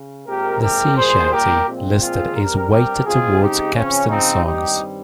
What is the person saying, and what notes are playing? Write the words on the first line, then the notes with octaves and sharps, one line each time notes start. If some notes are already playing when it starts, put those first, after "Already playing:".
The Sea Chanty list is weighted towards capstan songs.
Already playing: C#3
A#2 G#3 C4 G4 A#4
G4 A#4
A#2 G3 A#3 G#4 C5
G4 A#4
A#2 F3 G#3 C4
F4 G#4
G2 G3 C4 G4 A#4
G4 A#4
C#3 G#3 C4 F4 G#4
D#4 G4
C#3 F3 C4 C#4
C4 D#4
G2 D#3 G3 C4 D#4 G4